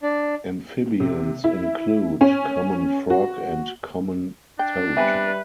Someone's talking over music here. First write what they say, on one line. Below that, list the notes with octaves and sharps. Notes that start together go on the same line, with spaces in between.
Amphibians include: common frog and common toad.
D4
C3
E4
C#4
F#4
D4 G5
G3 B3 C4 B4 E5 G#5